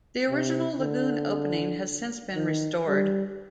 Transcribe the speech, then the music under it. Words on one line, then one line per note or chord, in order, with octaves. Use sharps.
The original lagoon opening has since been restored.
C3
D3
D#3
G3